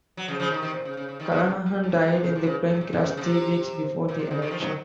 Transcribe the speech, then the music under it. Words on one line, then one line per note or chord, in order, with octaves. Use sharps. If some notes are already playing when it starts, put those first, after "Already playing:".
Carnahan died in a plane crash three weeks before the election.
F#3
C#3 F3
C#3 F3
C3 D#3
C3 D#3
A#2
C#3
C#3
C#3
C3 D#3
D#3 F#3
C#3 F3
A#2
G#2
A#2
G#2
C3
C#3
C3
C#3
G#2
A#2
C3
C#3
C#3
C3
A#2
C3
C#3
C3 D#3
F3
D#3 F#3